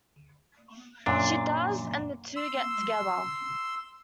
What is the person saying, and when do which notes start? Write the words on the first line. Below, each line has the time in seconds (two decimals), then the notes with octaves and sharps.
She does, and the two get together.
1.06 F#2 A#2 D4
2.36 C6 E6